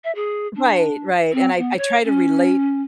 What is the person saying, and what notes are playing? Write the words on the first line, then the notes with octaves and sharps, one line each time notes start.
Right, right, and I I try to relate
E5
G#4
D4
C4
B3
C#5
C#4